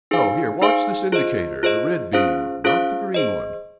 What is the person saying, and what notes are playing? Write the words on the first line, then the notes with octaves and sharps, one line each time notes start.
No--here, watch this indicator--the red beam, not the green one.
D#4 G#4 C5 F5 G#5
D#4 G#4 C5 F5 G#5
F4 G#4 C5 D#5
F4 G#4 C5 D#5
C#4 F4 G#4 C5 F5
C#4 F4 G#4 C5 F5
G#4 C5 D#5